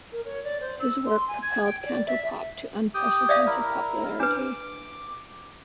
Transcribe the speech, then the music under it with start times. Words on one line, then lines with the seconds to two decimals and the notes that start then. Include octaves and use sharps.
His work propelled Cantopop to unprecedented popularity.
0.13 A#4
0.25 C#5
0.44 D5
0.61 C5
0.80 E6
1.06 C6
1.28 G#5
1.42 G#6
1.65 G5
1.86 D5
2.07 E5
2.94 G4 G5 D#6
3.29 D5 E5 F5
3.46 E4 A#4
4.20 D4 B4 D6